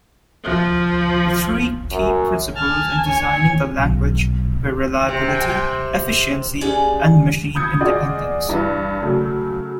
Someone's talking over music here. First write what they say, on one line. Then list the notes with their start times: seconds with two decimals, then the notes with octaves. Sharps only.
The three key principles in designing the language were reliability, efficiency, and machine-independence.
0.44 F3
1.92 F#2
2.55 G#5 A5 F6
3.05 C#5
3.79 B1
5.09 C3
6.61 G#3 C#4 G4 G#4 D5 F#5
7.55 B5 D#6 G6 G#6 C#7
7.80 F4 G#4 D5 D#5 F#5
8.49 G2 E3
9.02 C#3 F#3 A3